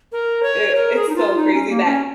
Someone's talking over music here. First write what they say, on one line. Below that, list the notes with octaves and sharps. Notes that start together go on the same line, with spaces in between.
it it's so crazy that,
A#4
C#5
A#4
G#4
D#4
F4
D#4
C#4
A#3
C#4